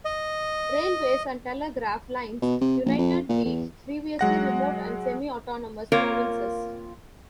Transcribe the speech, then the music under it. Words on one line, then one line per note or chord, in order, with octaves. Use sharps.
Railways and telegraph lines united the previously remote and semi-autonomous provinces.
D#5
B2
C3
A#1
F2
A#2
E2
F#3 G#3 F#5 A#6
A#3 C4 F4 A#4 C#5 F5